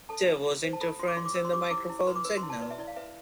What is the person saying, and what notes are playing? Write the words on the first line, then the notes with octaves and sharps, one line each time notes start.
There was interference in the microphone signal.
A4 A5
F4
F4
C5
A5
A4 B5
F4 C6
D6
F4 C6
D6
C5 E6
C6
G4 D6
E6
E4 D6
E4
B4 C6
D6
B4 E6
C6
E4
A5
B4 D5
E5
E4 D5
F5
B4 E5